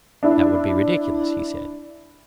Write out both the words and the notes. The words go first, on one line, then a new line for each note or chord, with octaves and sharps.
That would be ridiculous, he said.
D4 E4